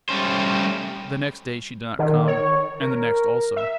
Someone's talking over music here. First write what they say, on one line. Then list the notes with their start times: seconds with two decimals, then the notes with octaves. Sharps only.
The next day she did not come, and the next also.
0.09 G3 A3 C#4 C5
1.99 D#3
2.27 C#5
2.82 A#4
3.57 E5